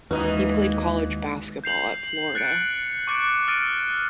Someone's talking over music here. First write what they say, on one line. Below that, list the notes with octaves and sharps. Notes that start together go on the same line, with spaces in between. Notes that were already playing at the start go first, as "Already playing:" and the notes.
He played college basketball at Florida.
D#2 E3 G#3 D#4 F#4 B4
G6 C7 F7 F#7
F#6 A6 C#7 D7
C#6 D6 F#6 A6 C#7 D7
D#6 F6 A6 D7 D#7